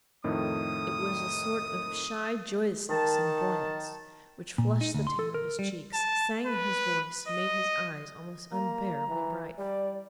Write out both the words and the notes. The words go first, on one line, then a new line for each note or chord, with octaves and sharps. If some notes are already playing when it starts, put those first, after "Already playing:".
It was a sort of shy joyousness and buoyance, which flushed the tan of his cheeks, sang in his voice, made his eyes almost unbearably bright....
F2 A2 D#3 D#6
D#3 A5
A#2
D#4
D2
C6
A4
A#4
G3
A5
B4
D#5
A#3 A#5
E3
G3 D5